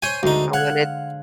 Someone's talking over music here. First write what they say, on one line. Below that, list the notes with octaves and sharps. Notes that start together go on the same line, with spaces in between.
I wanted
C5 C#5 G#5 G6 D#7
D2 D3 G#3 D#4
F5 F#5 F#6 G#6